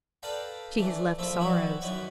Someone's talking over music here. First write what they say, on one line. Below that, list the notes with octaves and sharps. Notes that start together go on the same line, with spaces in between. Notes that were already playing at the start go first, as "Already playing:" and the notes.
She has left sorrows.
A4 B4 D5 F5 G5 A#5
E3 A3 D4
A#1 F3 A3 E4 E5
G3 B3 E4 F#4
F#2 D#3 E3 F#3 B4 C#6